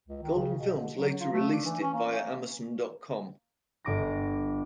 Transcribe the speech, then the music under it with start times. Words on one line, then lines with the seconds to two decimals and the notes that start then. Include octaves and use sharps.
Golden Films later released it via Amazon dot com.
0.08 C#2
0.22 D#3
0.36 C#3
0.59 B2
0.80 D3
0.95 F#3
1.20 F4
1.32 A3
1.52 D4
1.65 E3
1.81 C#4
1.94 A#3
3.85 G1 D6 A#6